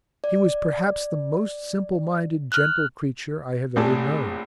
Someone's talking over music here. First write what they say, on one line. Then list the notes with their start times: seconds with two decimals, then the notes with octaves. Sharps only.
He was perhaps the most simple-minded, gentle creature I have ever known.
0.24 D5
2.52 F6 F#6
3.76 A#1 A2 C3 D5 G#5 A5